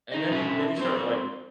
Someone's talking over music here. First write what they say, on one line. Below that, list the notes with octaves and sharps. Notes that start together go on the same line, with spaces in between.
And then you then you start, like,
D#3 D#4 D#5
B2 D3 C#4 B4 E5
F#3 C4 C5